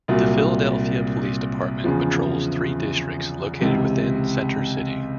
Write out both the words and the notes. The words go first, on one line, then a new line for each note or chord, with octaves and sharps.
The Philadelphia Police Department patrols three districts located within Center City.
C2 A#2 F#3
E2 C#3 F3
C#2 C3 E3